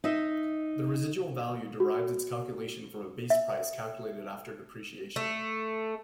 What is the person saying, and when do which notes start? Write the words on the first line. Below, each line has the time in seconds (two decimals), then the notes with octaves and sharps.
The residual value derives its calculation from a base price, calculated after depreciation.
0.04 D#4 D#5 E5
1.80 F#4
3.30 E5
5.16 A3